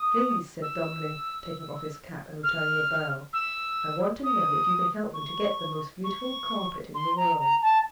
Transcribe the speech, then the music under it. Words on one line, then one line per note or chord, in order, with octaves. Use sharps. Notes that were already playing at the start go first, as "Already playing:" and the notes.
"Please," said Dummling, taking off his cap and returning the bow, "I want to know if you can help me to get the most beautiful carpet in the world."
Already playing: D#6
E6
F6
E6
D#6
C#6
C#6
C6
A#5
A#5
A5